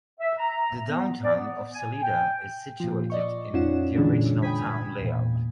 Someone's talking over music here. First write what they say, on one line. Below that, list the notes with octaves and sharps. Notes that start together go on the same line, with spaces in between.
The Downtown of Salida is situated in the original town layout.
E5
A#5
B3
D5
B3
G#5
G5
A#2 F3
D5 D#5 C#6
F2 C#4 D#4 F4 F#5 E7
A#2 D3 E3 G#3 C#4 D4
G5 G#5 B5 D#6 G#6 B6
E2 A#2